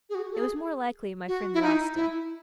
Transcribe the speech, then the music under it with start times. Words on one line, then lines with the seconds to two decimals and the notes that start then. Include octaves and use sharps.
It was more likely my friend Rasta.
0.10 G#4
0.15 F#4
0.32 A4
0.38 G#4
1.28 F#4
1.54 E4
1.62 D#4
1.96 E4